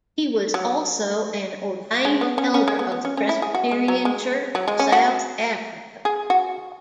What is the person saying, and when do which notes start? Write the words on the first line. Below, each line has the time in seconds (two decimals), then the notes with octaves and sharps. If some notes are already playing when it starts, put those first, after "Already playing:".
He was also an ordained elder of the Presbyterian Church of South Africa.
0.54 F#3
2.05 G#3
2.21 B3
2.38 C#4
2.54 C#4
2.68 G#3
2.79 B3
2.92 B3
3.05 C#4
3.17 C#4
3.29 E4
3.42 G#4
3.54 F#4
3.71 G#3
3.88 F#3
4.05 G#3
4.55 F#3
4.68 G#3
4.79 C#4
4.92 F#4
6.05 G#4
6.30 F#4